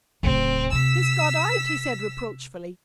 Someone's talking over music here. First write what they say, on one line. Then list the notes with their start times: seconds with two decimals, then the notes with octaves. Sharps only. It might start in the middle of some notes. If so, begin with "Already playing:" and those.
"He's got out," he said reproachfully.
0.23 D1 C#3 C4
0.72 C3 E6 B6